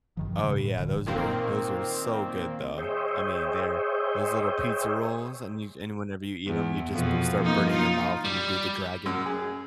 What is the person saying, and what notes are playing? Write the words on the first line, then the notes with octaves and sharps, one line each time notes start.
Oh yeah, those are those are so good though. I mean, they're those little pizza rolls, and you c and whenever you eat 'em, you just b start burning your mouth and you do the dragon
G2 D#3 F3
G2 C#3
A2
D#1 D3 E3
A#2 D#3 A#3 C4
G#4 C5 C#5 D#5 E5 G5
E2
F2 B2
F3 A#3 D#4
D#4 F4
G3
F#2
G#4